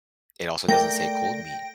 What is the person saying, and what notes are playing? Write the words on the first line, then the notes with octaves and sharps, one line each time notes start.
It also doesn't say, "cold meat."
A3 A#4 D5 G5 A#6